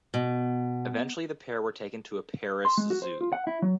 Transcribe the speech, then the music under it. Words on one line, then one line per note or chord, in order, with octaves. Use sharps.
Eventually the pair were taken to a Paris Zoo.
B2
C6
G#3
F#4
C5
F4
F#5
E4
F#3